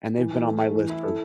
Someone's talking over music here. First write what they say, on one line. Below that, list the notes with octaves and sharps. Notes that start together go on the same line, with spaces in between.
and they've been on my list for
E3
E3
A3
A3
E3
E4
A4